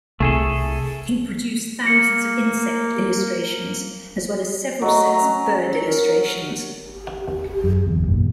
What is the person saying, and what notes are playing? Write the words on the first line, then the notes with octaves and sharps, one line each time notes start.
He produced thousands of insect illustrations, as well as several sets of bird illustrations.
C2 A3 G#4 A4
A#3 C#7
F#3 A3 D#5
A#5
C#4
A#4
F#2
G1 E2
B1 F#2 A#2 D#3